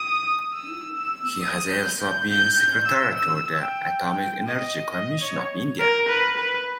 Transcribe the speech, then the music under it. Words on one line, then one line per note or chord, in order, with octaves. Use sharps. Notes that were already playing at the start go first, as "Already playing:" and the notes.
He has also been Secretary to the Atomic Energy Commission of India.
Already playing: D#6
E6
E6
D#6
G6
G6
G6
G6
E6
E6
G5
G5
D#5
D#5
C#5
A#4
B4
B4